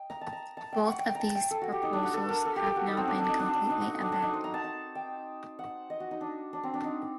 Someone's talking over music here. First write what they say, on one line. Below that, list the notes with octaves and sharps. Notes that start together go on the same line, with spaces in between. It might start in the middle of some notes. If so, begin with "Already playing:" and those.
Both of these proposals have now been completely abandoned.
Already playing: D#5 G5
A#5
A5
A#5
A5
G5
F#5
G5
G5
A5 A#5
G5
A4
F#4
G4
D#4
D4
F#4
A4
A#4
A4
G4
A4
F#4
D#4
C4
D4
D4
D#4
D4
D4
D#4
F#4
D4
D4
D#4
C5
A#5
A5
A5
G5
F#5
D#5
F#4
D#4
D4
D4
C4
D4
D#4